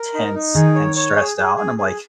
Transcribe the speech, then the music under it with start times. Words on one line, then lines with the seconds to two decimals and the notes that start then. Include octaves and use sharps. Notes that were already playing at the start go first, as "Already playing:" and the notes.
tense and stressed out and I'm like,
Already playing: A#4
0.14 D#4
0.34 D#4
0.55 D#3 G#4
0.75 C#5
0.96 C#5
1.15 G#4
1.37 G#4
1.57 G#4
1.77 G#4